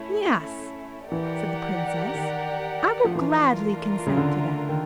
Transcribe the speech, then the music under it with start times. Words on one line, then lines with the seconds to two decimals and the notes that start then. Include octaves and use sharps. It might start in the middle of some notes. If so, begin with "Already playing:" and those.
"Yes," said the Princess, "I will gladly consent to that."
Already playing: A3 C#4 E4
1.12 E3 G4 A#4 D5 F#5
2.14 D#3
3.04 F3
3.15 E3 A3 D4 F4 A#4
4.07 C#3
4.17 D3
4.69 D#3